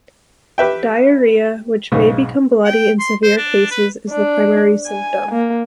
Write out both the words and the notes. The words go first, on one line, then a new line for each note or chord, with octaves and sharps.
Diarrhea, which may become bloody in severe cases, is the primary symptom.
G4 B4 E5 G5
B1 G#2 C#3
G5
C6
C5
D4
B4
D4
G#5
A#3